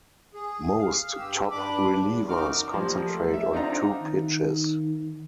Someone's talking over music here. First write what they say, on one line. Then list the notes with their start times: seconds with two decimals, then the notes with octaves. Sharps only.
Most top relievers concentrate on two pitches.
0.34 G#4
0.78 F5
1.16 G2 G4 E6
1.51 G2 D4 B5 D6
1.97 E2
2.29 F#2 C#3 D#4 F#4 D6 F6
2.74 F3 G3 A#3
3.08 A3
3.33 E5
3.53 C4 D4 D#4 F4 F#5 A#5
4.02 D#3